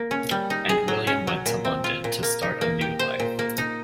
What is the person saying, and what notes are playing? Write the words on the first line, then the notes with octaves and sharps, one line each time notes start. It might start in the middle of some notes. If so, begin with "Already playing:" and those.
And William went to London, to start a new life.
Already playing: A#3
C#4
G3
D#4
G#4
F#3
C#4
F#3
A#2
C4
F4
A#2
A#3
D#4
A#3
G4
C5
A#2
A#3
D#4